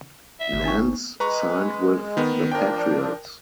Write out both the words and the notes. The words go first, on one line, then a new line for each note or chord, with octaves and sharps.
Nance signed with the Patriots.
E5
G#1
D4 D#4 C#6
G#3 B4 A#5 C#6
D#3 B3
F3 D4 A#4 G5